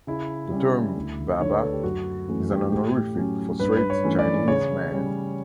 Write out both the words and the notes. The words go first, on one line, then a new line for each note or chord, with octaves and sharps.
The term "Baba" is an honorific for Straits Chinese men.
C#3 E4
G3 C#4
D2
D3 A3 D4 C#5
B4
A4
G4
F#2 F#4
E3 A3 C#4
G4
A2 G4
F#3 C#4
G2 B4
B4
C#5
E3 A3 C#4
D5
C#3 C#5
G3 C#4